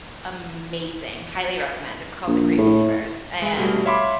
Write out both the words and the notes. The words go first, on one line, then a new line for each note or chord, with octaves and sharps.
amazing, highly recommend, it's called The Great Believers, and
A#1
A2
G#3
B2 G3 A3
C#5 E5 F5 B5 C6 D6